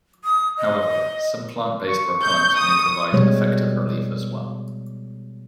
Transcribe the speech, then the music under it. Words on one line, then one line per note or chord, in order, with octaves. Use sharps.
However, some plant-based repellents may provide effective relief as well.
D#6
D#5
C#6
G6
D#6
B2 G3 G#3 C#5